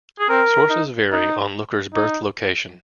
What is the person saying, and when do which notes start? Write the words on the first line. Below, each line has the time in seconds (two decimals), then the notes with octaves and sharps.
Sources vary on Looker's birth location.
0.19 G#4
0.29 C4 A#4
0.70 D#4
1.12 D#4
1.94 D#4